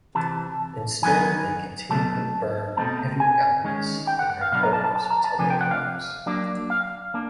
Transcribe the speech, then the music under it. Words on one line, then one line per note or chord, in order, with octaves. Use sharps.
Instead they continue to burn heavier elements in their cores until they collapse.
C3 E3 A5
D#3 F#3 B3 D#4 G#5
B2 F#3 A3 A5
B2 F#3 A3 C4 A5
G#5
D#3 G#3 C#4
G5
F#5
F#5
F5
B2 F#3 B3 D4 F5
A#5
A5
A5
A5
A#5
A5
C3 F3 A3 D4 G#5
G5
F#5
F5
F#3 A#3 D4
F5
A#3 D4